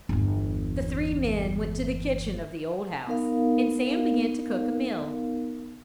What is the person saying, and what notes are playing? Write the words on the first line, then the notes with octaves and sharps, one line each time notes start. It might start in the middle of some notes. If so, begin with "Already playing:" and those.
The three men went to the kitchen of the old house, and Sam began to cook a meal.
G1 E2
B3 D#4 A#4 F5